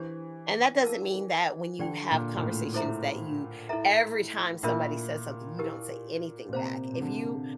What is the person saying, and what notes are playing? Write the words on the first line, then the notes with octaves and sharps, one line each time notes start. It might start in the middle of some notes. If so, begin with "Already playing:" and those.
And, that doesn't mean that when you have conversations that you every time somebody says something, you don't say anything back, if you
Already playing: E3 D4 G4 C5
A#4 F5 A5
D3 G4 D5 G5
A#2
A#2
A2
E4 A4 C5 E5 A#5
E4 A4 E5 A#5
A#2 D4 F4 A#4 E5
E4 G4 A#4
A#2
C3 C5 F5 A#5
C3
D3